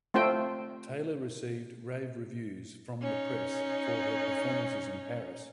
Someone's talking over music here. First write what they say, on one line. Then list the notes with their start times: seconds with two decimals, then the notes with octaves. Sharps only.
Taylor received rave reviews from the press for her performances in Paris.
0.14 A3 C4 F4 C5 G5
3.01 C#4 D#4